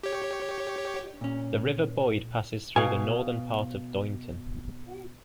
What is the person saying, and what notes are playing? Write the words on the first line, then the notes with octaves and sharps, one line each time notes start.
The River Boyd passes through the northern part of Doynton.
G4 C#5
A#2 C#4
B2 F5 G#5